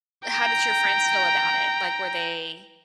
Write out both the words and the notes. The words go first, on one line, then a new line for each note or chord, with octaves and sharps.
How did your friends feel about it? Like, were they,
G5 A#5